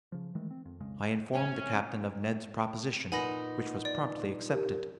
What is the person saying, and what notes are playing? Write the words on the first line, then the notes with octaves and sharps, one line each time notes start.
I informed the captain of Ned's proposition, which was promptly accepted.
C#3 F3
D#3 E3 G#3 A3
C4
F2
B1 F2 C#3 G#3
C#4
A#2 D#4 B4 F#5 G#5 B5 A#6
D5
G4 A#4